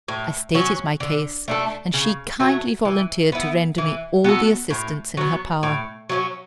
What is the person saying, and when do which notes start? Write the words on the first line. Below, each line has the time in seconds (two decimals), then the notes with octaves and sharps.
I stated my case, and she kindly volunteered to render me all the assistance in her power.
0.08 A2
0.54 F#3 C#4
1.00 D3
1.48 A3 D4 A4
1.94 C#3
2.39 F#3 A3
2.85 E3
3.32 B3 E4
3.78 E3
4.24 B3 F#4 A4
4.70 A2
5.17 F#3 B3
5.63 A2
6.09 F#3 A3 C#4